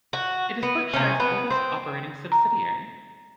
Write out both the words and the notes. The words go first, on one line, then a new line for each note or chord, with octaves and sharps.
It is Berkshire's oldest operating subsidiary.
F#4
B3
C3 C#4
B3
C4
A#5